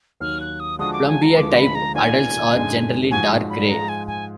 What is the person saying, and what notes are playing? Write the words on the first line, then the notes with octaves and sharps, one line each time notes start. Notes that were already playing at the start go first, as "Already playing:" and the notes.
"Plumbea"-type adults are generally dark gray.
D#2 D#3 F#3 F6
F#6
D#6
D3 F3 G#3 D4 F#4 D#6
D6
G#5
A#5
D2 D3 F3 G#3 D6
B5
A#5
D#3 A#3 F4 A#4 D5 G#5
F#2 D3 G#3 D#4
G#2 F3 G#3 D#4 F#4 G#5
B5
G#2 F3 G#3 A#5
G#5
G#5